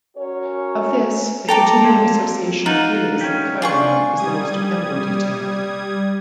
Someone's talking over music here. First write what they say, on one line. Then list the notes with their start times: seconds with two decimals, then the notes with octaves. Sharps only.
Of this, the continuing association of Peleus and Chiron is the most dependable detail.
0.17 C#4 F#4 A#4 C#5
1.48 A4 G5 A#5 D6
1.84 A#3 C4
2.66 D#4 F4 F#5
3.21 C#4 G4
3.62 D4 F4 G#4 C#6
4.17 G3 D#6 G#6